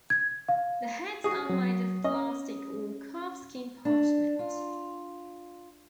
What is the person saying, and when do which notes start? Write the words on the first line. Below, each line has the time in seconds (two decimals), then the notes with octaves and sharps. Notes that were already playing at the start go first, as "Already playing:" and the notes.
The heads are made of plastic or calfskin parchment.
0.10 G#6
0.49 F5
1.24 F#4 G#4
1.50 F#3
2.04 C#4 D#5
3.85 D4
4.39 F4